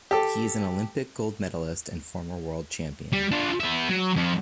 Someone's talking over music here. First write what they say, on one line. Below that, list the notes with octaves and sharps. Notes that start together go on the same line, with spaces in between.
He is an Olympic gold medalist and former world champion.
G4 A4
G3
D4 F4
B3 E5
F#3
F2 F3